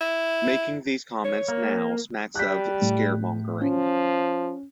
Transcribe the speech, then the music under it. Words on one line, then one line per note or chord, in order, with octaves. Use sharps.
Making these comments now smacks of scaremongering.
E4
C#5
A#3
G3 F#6 G6 B6
A2
F3 C#4